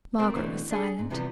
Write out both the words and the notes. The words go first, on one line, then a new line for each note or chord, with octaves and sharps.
Margaret was silent.
B2 A3 A#3 C4
B2 D3 E3 A3 C4
D4 G#4 A4
G#2
C2 C3 E3 F3 G3 B3